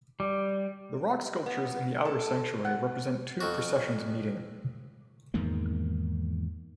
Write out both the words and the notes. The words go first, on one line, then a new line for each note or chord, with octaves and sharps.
The rock sculptures in the outer sanctuary represent two processions meeting.
G3
B3
A4
F#5
F2 F#4
E2 G#2 D#3 A#3